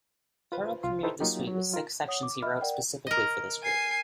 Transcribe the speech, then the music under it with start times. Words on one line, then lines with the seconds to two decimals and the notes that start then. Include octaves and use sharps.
Harrell premiered the suite with six sections he wrote specifically for this group.
0.52 F4 B4 C5
0.83 C2 F4 C6
1.03 D#4 E4 G4 A4 B4 C5
1.20 F#3 A#3 D#4 F4 G4
1.47 F#3
1.74 F4 A#4
2.08 C#5 F#5 D#6
2.23 D6
2.42 D#5 E5 B5 F6
2.61 A#4 D5 F#5 G5
3.07 A#4 D#5
3.63 G#5 C7